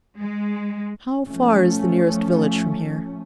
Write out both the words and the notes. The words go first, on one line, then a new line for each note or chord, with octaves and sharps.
"How far is the nearest village from here?"
G#3
F3 A3 C#4